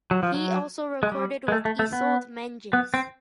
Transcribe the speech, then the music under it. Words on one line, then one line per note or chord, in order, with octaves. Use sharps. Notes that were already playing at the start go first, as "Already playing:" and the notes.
He also recorded with Isolde Menges.
F#3
F3
F#3
G#3
G3
G#3
A3
A3
A3
B3
B3
C4